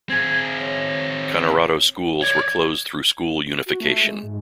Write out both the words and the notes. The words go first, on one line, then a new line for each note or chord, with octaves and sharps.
Kanorado schools were closed through school unification.
C4 G#4 G#6
C#5
C#5 D5 G#6
F#4
A3
G#3
G#2